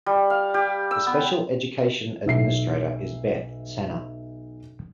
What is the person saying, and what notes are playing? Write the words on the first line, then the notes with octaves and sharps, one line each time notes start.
The special education administrator is Beth Sanna.
G3
F5
G4
E6
B3
B1 E5 C7